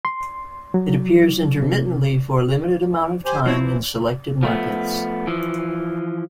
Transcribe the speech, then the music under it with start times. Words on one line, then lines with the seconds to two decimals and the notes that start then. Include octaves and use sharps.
It appears intermittently for a limited amount of time in selected markets.
0.05 C6
0.74 F#3
1.63 C3
3.25 G4 C5 G#5
3.46 F3 C4 E4 C#5
3.62 E3
4.43 F3 A3 B3
5.27 E3 F3